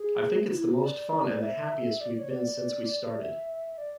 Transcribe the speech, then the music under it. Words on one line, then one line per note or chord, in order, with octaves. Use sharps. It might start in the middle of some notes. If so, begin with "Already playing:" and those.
I think it's the most fun and the happiest we've been since we started.
Already playing: G#4
F#4
E4
F#4
D5
E5
D5
C#5
D5
E5
D5